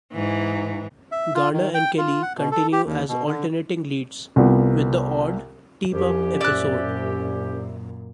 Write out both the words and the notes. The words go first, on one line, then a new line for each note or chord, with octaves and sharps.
Garner and Kelly continue as alternating leads, with the odd 'team-up' episode.
G#2 E3
E5
F4
D#3
G5
F4
F#5
B2
A4
G4
D#2
B2
D3
C2 B3 F4 F#5
C2 F2 F3 C#4 G4
F#2 A#2 D5 E5 F#6